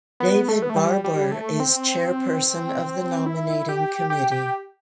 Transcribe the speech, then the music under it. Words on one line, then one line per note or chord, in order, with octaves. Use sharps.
David Barbour is chairperson of the nominating committee.
B3
A3
B3
A3
G3
G3
A3
C4
E4
G4
G4
G4